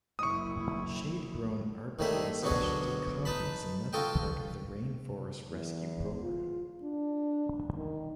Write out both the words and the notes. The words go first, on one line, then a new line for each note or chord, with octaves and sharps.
Shade-grown Arbor Day Specialty Coffee is another part of the Rain Forest Rescue program.
F#1 E4 C#6 D#6
D#2 G#2 D#3 G3 A3 E5
D2 B2 F#3 D4 F#4 G#4
D#4 B4 A5 B5
F4 F#4 A4 D#5 G5
E2
F4
D4
D#3